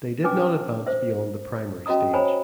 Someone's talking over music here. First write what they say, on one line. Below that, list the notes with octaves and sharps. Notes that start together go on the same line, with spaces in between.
They did not advance beyond the primary stage.
C#4 D4 B4 G#5 D6
C5 E5
C#4 F#4 D#5 A#5 D#6
C5 C#5 G#5 A#5 B5